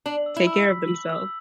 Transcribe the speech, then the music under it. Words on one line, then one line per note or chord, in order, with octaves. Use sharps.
take care of themselves.
D4 F#7
E6
E4
E6
B6
F#7
E6